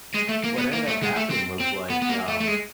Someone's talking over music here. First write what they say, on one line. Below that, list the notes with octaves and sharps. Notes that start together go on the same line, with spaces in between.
what ended up happening was like, um,
G#3
A3
A#3
B3
A#3
A3
G#3
A3
C4
C4
B3
B3
A#3
A3
A3
G#3